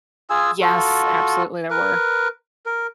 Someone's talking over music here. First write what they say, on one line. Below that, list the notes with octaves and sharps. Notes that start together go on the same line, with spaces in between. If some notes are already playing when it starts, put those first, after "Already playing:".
Yes, absolutely there were,
F4 G#4 G#5 E6
F4 F#4 A4
A#4 B4
A#4